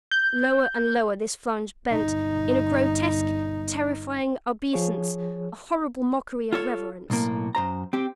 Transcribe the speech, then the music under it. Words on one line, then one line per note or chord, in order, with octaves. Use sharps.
Lower and lower this flange bent--in a grotesque, terrifying obeisance; a horrible mockery of reverence.
G6
G1 D#4
F3 G#4 C#5
F4 A4 C#5
B1 A2 A#3
F#2 C5 A#5
C4 G4